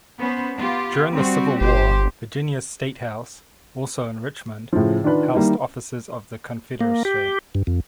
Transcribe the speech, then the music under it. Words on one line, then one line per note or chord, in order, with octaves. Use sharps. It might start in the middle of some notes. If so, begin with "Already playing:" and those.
During the Civil War, Virginia's statehouse, also in Richmond, housed offices of the Confederacy.
B3 C#4 C5
B3 F4 G4
G3 C4 F#4
G1 G4 C5
A2 C#3 F3
D#3 D4 F4 B4
D#3 G3 A#3 D#4 E4
A#3
G4
G2
F2